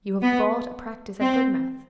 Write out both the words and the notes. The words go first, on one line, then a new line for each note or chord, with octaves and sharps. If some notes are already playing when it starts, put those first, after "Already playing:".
You have bought a practice at Budmouth.
B3
C4